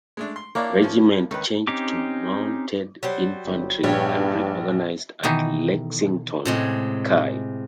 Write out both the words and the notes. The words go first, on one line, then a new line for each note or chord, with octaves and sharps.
Regiment changed to mounted infantry and reorganized at Lexington, Ky.
G#3 A3 D4
C6
A#3 D4 E4 A#4 C#5 D5
F3 C#4
C#2 D#3 B4
C4 C#4 D#4 G4 D6
F#3 G3 C5
G1
A#1 G2 B3 G4 C#5
B2 D#3 E3 D#4
A2 C3 G#3